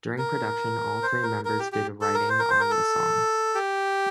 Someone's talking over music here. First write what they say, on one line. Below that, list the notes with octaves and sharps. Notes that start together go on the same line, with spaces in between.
During production, all three members did writing on the songs.
A#4
C5
A#4
A#4
G4
G4
A4
A#4
C5
A#4
C5
A#4
A4
G4